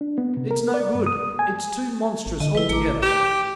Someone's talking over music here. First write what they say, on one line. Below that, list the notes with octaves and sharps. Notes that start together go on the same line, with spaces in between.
It's no good; it's too monstrous altogether.
D4
B3
C3
A#4
D5
G2
D#6
G#5
G#1
D3 D#5
F3 E4 B4
A1 A3 A#5 D6
G4